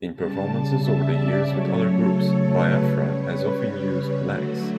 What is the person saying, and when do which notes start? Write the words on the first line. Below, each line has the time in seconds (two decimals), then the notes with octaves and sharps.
In performances over the years with other groups, Biafra has often used "blacks".
0.13 C#3 G3 A5
0.47 A5
0.80 E5
1.14 D5
1.48 C#3 F#3 A3 C#5
1.81 A4
2.48 B4
2.82 C#3 G3 C#5
3.15 B4
4.16 D3 F#3 A3 F#4